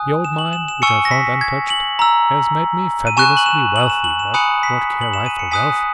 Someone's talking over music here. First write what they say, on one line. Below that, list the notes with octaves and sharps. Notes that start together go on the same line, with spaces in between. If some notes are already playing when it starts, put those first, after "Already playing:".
The old mine, which I found untouched, has made me fabulously wealthy; but what care I for wealth!
Already playing: G#5 D#6 F#6
E7
F#7
E7
E7
G#5 C#6 E6 C#7
A#6
B6
G#6
F#7
A#5 E6
D#7
G#5 C#6 F#6 E7
F#7
E7
F#7
E7
F#7
E7
G#5 B5 D#6 F#6 C#7
B6
F#7
E7
D#7
C#7
G#5 D#6 F#6 B6